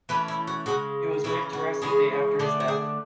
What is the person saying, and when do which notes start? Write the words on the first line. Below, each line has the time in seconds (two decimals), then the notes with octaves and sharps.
He was laid to rest a day after his death.
0.09 E3 A3 C#4 B4
0.28 E4
0.47 F#4
0.66 C#3 E3 G#3 F#4
1.24 C#3 E3 A3 C#4 E4
1.53 F#4
1.82 C#3 E3 G#3 C#4 G#4
2.39 D3 A3 D4 G#4
2.60 F#4
2.68 G#4